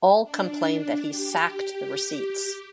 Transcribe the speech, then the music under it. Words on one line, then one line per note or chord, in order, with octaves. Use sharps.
All complained that he sacked the receipts.
D4
G4